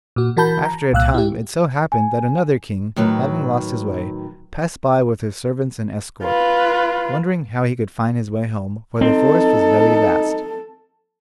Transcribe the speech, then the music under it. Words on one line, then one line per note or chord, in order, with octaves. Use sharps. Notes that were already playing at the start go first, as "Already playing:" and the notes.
After a time it so happened that another King, having lost his way, passed by with his servants and escort, wondering how he could find his way home, for the forest was very vast.
A#2 F#4
E3 F#4 A#4 A5 B5 G6
A#5
C2 A#2 F5 E6 F#6
E4 G4
G#5
A2 D#3 F#3 B4
F4 B4
C4 D#4 A4